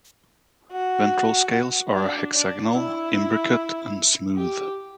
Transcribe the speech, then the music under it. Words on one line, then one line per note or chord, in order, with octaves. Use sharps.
Ventral scales are hexagonal, imbricate, and smooth.
F#4
D4
D4
E4
G4